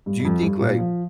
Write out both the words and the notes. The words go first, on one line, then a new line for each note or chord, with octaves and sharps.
do you think like
G2
G2
F2
G2
A#2
F3